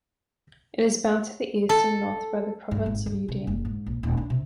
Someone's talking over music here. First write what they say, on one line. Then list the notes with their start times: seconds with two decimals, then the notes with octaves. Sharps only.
It is bounded to the east and north by the Province of Udine.
1.69 A4
2.71 G2
2.86 G#1
3.06 G2
3.28 C3
3.47 F#1
3.65 G#2
3.86 A#1
4.03 D#1
4.17 D4
4.30 C3